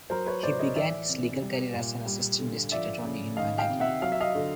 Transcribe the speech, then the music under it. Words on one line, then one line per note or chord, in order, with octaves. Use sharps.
He began his legal career as an assistant district attorney in Manhattan.
F#3 A#4 C5
B4 C#5
A2 C5 D5
C#5 D#5
E3 D5 E5
C3
G3
A#2
G3
D3
F3 D5 E5
C#3
D#3 D#5 F5
F5 G5
C3
E5 F#5
F#3 F5
E5
D#5 F5
D3